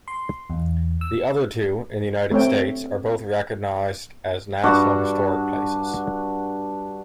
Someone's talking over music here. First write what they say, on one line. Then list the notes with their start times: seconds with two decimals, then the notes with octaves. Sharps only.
The other two, in the United States, are both recognized as national historic places.
0.08 C6
0.50 E2
1.01 E6
2.31 A3 C4 C#5 G5
4.64 G2 D4 F#4